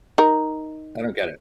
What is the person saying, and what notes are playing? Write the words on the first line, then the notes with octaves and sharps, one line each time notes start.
I don't get it.
D#4 A#4